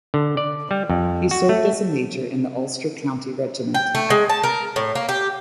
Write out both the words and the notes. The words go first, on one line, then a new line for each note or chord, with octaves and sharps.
He served as a Major in the Ulster County Regiment.
D3
D5
G3
F2
F#4
A3
G5
A3
G#3
A5
A#4
A2
A#3
G4